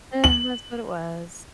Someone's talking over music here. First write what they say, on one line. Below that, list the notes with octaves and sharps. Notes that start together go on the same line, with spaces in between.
eh, that's what it was.
F#7